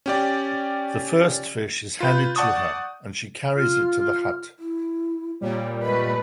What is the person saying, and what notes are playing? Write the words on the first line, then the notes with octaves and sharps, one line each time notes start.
The first fish is handed to her, and she carries it to the hut.
C#4 G4 D5
F4 B4 G6
D5 F#5 A5 C#6 D#6
F4 F6
E4
A#2 G3 C#5
A3 B4 D#5